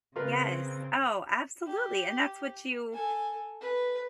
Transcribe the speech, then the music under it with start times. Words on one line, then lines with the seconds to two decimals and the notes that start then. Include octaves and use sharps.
Yes, oh, absolutely, and that's what you
0.16 C#3 C4 F4 A#4 B4
1.67 G4
2.92 A4 G#5
3.61 B4